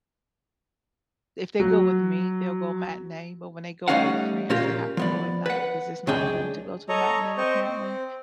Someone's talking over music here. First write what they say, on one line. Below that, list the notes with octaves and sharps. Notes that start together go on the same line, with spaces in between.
if they go with me they'll go matinee but when they go with their friends they have to go at night 'cause it's not cool to go to a matinee apparently.
F#3
G3 A3 C#4 D#4 F5 F#5
A#2 C#3 A#3 F4 G4
F3 B3 D5
B4 F#5
C#2 F#2 C#3 D4 G#4 G5
A4 C#5 D#5 A#5
C4 C5 D#5 C#6
C4